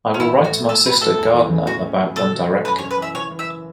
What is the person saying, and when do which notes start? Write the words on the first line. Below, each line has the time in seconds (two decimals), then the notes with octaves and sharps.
I will write to my sister Gardiner about them directly.
0.14 C#4
0.19 A1 E4
0.37 A3
0.44 F#4
0.52 A2
0.69 A2 A4
0.85 F#4 B4
1.01 A3 A4
1.18 E2
1.34 E3
1.50 C#3
1.67 A2 F#4
1.84 C#4
2.00 F#3
2.16 B2 A4
2.33 F#4
2.49 A3
2.65 F#2 B4
2.78 C#5
2.82 C#4
2.91 B4
2.98 E3 E5
3.15 F#1 C#5
3.31 E3
3.39 E5